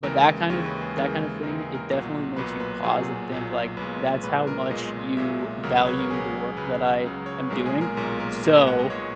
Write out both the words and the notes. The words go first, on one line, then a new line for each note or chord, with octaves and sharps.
but that kind of that kind of thing, it definitely makes you pause and think, like, "That's how much you value the work that I am doing. So,
D#2 C#3 E3 G#3 A#4
D#2 C#3 E3 G#3 C#5
B4
G#4
D#2 C#3 E3 G#3 A#4
D#2 C#3 E3 G#3 A#4
G#4
A#4
B1 A#2 F#3
B1 A#2 F#3 B4
B4
B1 A#2 F#3 G#4
B1 A#2 F#3
B1 A#2 G#3 B4
B1 A#2 G#3 B4
A#4
B1 A#2 G#3 D#5
B1 A#2 G#3 E5
C#2 C#3 F#3 A#4
B4
C#5
A#4
C#2 C#3 F#3 G#4
C#2 C#3 F#3 B4
C#2 C#3 F#3
C#5
B4
B1 A#2 G#3 A#4
G#4
A#4
B1 A#2 G#3 A#4
A#4
B1 A#2 G#3 A#4
B4
F#5
D#5
A#2 G#3 C#5